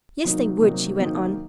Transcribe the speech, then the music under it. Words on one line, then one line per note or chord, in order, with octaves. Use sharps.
"Yes, they would," she went on.
C3 D#3 F#3 A#3 D#4
C3 D#3 F#3 A#3 D#4
C3 D#3 F#3 A#3 D#4